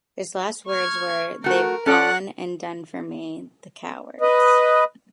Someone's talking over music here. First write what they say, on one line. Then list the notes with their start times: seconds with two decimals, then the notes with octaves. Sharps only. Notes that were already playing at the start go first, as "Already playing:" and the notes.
His last words were They've gone and done for me, the cowards.
0.67 C#6 F6 G#6
1.44 A3 F#4 A#4
1.86 C#4 A4 D5 F#5 F#6
4.21 B4 D#5